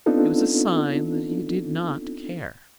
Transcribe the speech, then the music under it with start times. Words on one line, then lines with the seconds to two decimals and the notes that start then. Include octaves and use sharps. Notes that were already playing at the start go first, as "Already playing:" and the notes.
It was a sign that he did not care.
0.06 B3 C4 D4 D#4 F4 A4